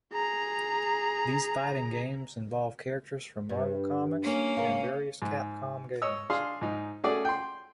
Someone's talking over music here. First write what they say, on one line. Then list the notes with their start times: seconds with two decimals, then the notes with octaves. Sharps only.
These fighting games involve characters from Marvel Comics, and various Capcom games.
0.13 G#4 A#5
3.49 G2
4.23 A#3 C#4
4.57 C#3 A#4 F5
5.22 G#2
6.02 C#5 D#5 E6
6.30 D4 G#4 F5 C6
6.61 G#2 D#4
7.04 A3 C#4 F#4 G#4 D5
7.25 G5 C6